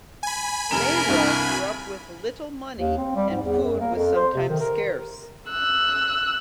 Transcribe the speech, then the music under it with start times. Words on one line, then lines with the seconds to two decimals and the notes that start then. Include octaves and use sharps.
Mayra grew up with little money and food was sometimes scarce.
0.23 G#5 B5
0.71 F1 A3 A#4 E7
1.08 C2 G2
2.76 D#2
2.98 C4
3.15 G3
3.30 G#2
3.42 E2
3.63 F#2
3.80 A#3
3.95 F2
4.16 C5
4.34 C3
4.49 D#3
4.60 A#4
5.51 E6 F#6